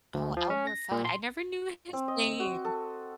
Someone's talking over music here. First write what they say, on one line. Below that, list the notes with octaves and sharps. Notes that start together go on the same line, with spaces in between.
Oh, Elmer Fudd, I never knew his name.
D2
F3
C#4
A#6
A#2
C6
C4
D#5
F#4
A4